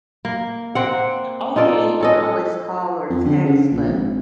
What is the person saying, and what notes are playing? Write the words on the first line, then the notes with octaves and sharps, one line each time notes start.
Oh, yeah, you can always call or text, but
A#3
A#3 C4 F#5
D#4 F4 A4 D5
C#4 A4 D#5
F2
D3
C#3
A#1
G#1